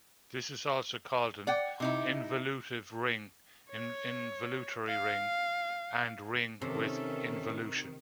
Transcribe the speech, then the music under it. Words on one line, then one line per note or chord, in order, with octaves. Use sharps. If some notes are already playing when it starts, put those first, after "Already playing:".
This is also called an involutive ring, involutory ring, and ring with involution.
D5 F#5 G5
C3 D#4 E4
C#5
F5
C3 D#3 C#4 A4 E5